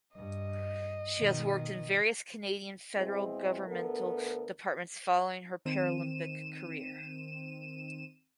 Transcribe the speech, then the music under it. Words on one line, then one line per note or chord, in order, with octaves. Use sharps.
She has worked in various Canadian federal governmental departments following her Paralympic career.
G2 D#5
B2 D#3
B2 G#3 C4 E4 G#4
D2 B3 A4 A#4
D#3 C4 D#7 E7